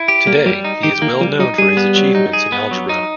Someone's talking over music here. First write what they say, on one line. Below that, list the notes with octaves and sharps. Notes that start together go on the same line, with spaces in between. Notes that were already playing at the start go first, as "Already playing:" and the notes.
Today, he is well known for his achievements in algebra.
Already playing: E4
G4
G3 A#3
F#3 G3
D#4
D#3 G4
D#3 A#3
F3 G3
F#3 D#4
G3 G#4
B3
F#3
D#4
G#4
B3
F#3
D#4